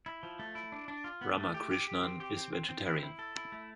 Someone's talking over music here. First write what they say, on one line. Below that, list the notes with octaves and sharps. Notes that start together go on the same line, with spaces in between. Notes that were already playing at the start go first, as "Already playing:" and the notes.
Ramakrishnan is vegetarian.
E4
F3
A3
E4
D4
D4
F4
B3
A3
G4
G4
G4
C4
G4
C4
C4
C4
E4
E4
A4
E4
A3